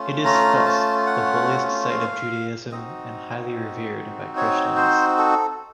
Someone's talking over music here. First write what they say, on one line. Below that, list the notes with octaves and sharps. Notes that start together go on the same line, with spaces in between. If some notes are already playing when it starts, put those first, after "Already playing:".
It is thus the holiest site of Judaism and highly revered by Christians.
Already playing: A3 C#4 F4
A#5
A5
F#5
F5
C4 D#4 F#4 D#5
C#5
C5
A4